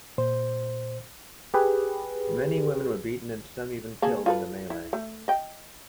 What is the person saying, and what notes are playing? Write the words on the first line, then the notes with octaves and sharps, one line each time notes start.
Many women were beaten and some even killed in the melee.
A#2 C5
G4 G#4 B4
A#3 G#4 A4
F4 A4 B4
E4
A3
D#5 G5